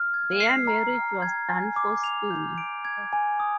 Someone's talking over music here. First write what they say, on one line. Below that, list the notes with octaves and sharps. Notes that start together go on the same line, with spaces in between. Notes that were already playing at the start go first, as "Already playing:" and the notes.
Their marriage was done forcefully.
Already playing: F6
G#6
C7
A#5
F6
G#6
G#5
D6
F7
G6
D7
G#6
G#5
D#6